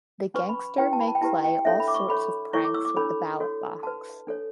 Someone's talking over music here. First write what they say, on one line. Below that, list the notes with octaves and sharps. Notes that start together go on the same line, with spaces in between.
The gangster may play all sorts of pranks with the ballot box.
C#4 F#4 B4 C#6
B5
E4 G4 B4 G5
A5
B5
A5
G5
E4 G4 B4 A5
G5
D4 A4 C#5 E5
B5
D6
C#6
F#4 A4 C#5 B5
E4 A4 C#5 C#6
D6
E6
D6
D4 A4 C#5 B5
F#4 A4 C#5
F#4 B4 A5
D4 A4 C#5